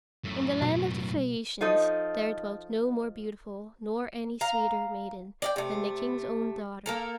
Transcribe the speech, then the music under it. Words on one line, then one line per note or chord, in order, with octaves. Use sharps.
In the land of the Phaeacians there dwelt no more beautiful, nor any sweeter maiden, than the King's own daughter.
F#2 A2
B2
F3 D#4 A4 D#5
F5 A#5
D5 D#5 G5
C3 A3
A#3 A4 A#4